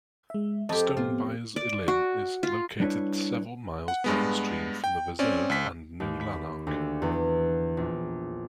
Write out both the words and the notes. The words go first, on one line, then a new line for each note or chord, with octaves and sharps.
Stonebyres Linn is located several miles downstream from the reserve and New Lanark.
G#3 E5
F2 G4 D#5 A5
A2 B3 F4
D5
F#4
F4
G3 B3 D4 E4 B4 C#5
F#5
G2 G#3 B3
G5
C4 C#4 D5
C#2 B6
D#2
B5
D2
E2
A#1